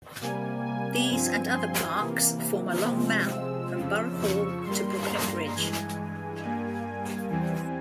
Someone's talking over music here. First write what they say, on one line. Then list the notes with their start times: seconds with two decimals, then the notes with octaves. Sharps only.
These and other parks form a long mall from Borough Hall to Brooklyn Bridge.
0.21 C3 G3 A#3 G#5
0.66 G#5
1.10 G2 F3 C4
1.55 C6
1.99 C3 E3 A#3
2.87 C3 F3 G#3 C4
3.32 E6
3.76 F2 C#3 F3
4.21 C#6
4.65 G2 G3 A#3 C6
5.09 A#5
5.53 G2 E3 G#3 G#5
6.41 G2 G3 A#3 G#5
6.86 G#5
7.30 E2 E3 G3 C4